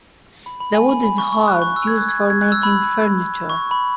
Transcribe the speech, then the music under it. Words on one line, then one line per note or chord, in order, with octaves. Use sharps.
The wood is hard, used for making furniture.
B5
B5
G#5
B5
B5
C#6
C#6
F#6
C#6
E6
G#6
F#6
G#6
G#6
F#6
E6
B5
C#6
B5